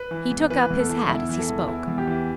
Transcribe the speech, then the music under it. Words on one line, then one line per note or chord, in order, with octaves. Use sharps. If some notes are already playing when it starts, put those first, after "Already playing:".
He took up his hat as he spoke.
Already playing: B4
E3
E2
E3 B4
E2
A4
E3
E2 E4
E3
A4
E2
E3 E4
E2
G4
E3